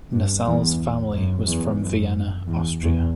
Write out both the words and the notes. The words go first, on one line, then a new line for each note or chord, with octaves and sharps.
Nossal's family was from Vienna, Austria.
G2
E2
F#2
E2
F#2
E2
E2